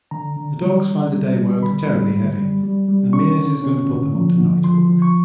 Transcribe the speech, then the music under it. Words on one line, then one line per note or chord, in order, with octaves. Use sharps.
The dogs find the day work terribly heavy and Meares is going to put them on to night work.
D3 A#5
D3
G3
D3
G3
G3
D3 B5
G3
D3
G3
G3
G3
C#4 C#6
D3
C#4
D3
F3
D3
F3 C6
F3
C#6